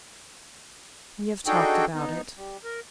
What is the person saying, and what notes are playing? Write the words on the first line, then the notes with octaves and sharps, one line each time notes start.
We have talked about it.'
D4 D#4 F#4 G#4 A4 G5
B3 D#4
G3
A#4